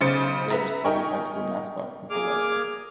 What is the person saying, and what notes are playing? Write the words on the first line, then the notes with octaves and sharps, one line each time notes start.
Slater's public high school mascot is the Wildcats.
B1 C#3 C5 A6 C#7
B4 E5 A#5
D#4 A#4 G5 G#5 C#6
A#3 G#4 D6 F6